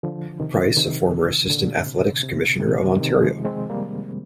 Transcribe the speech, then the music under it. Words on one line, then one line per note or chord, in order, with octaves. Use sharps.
Price, a former assistant athletics commissioner of Ontario.
D3 F3
C3 D#3
C3 D#3
A#2 D3
C3
C3
C3 D#3
C3 D#3
F3 G#3
G#3 C4
G3 A#3